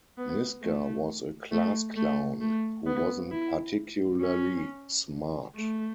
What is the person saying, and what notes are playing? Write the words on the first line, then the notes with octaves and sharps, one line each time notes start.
Nisker was a class clown, who wasn't particularly smart.
B3
A3
A3
A3
A3
B3
E4
C#4
A3